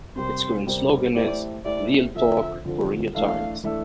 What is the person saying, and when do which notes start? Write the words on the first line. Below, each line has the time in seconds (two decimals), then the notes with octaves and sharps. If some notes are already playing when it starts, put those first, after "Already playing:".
Its current slogan is "Real Talk for Real Times".
0.16 C3 G3 C4 G4 A#4 C5
0.66 C3 G3 C4 G4 A#4
1.15 A3 E4 G4 C5 D5 E5
1.65 A3 E4 G4 C5 D5 E5
2.14 D3 F3 C4 F4 A4 E5
2.65 D3 F3 C4 F4 A4
3.15 E3 A3 D4 A4 E5 F5
3.63 E3 A3 D4 A4 E5